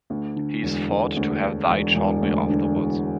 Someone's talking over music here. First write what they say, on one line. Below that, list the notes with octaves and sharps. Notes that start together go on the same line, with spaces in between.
He is thought to have died shortly afterwards.
D2
D3
E1
E1
D2
D3
E1
E1
D2
D3
E1